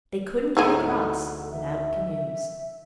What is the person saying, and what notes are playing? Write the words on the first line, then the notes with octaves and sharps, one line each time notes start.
They couldn't get across without canoes.
D2 G#2 D#4 E4 G#4 A4 G#5
E5